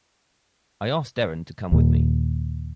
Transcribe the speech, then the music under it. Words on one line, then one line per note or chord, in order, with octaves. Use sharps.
I asked Deren to come with me.
D#2 A#2